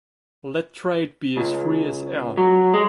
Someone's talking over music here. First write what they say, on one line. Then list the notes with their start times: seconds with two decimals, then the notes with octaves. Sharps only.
Let trade be as free as air.
1.37 C#2
2.37 F#3
2.74 G#3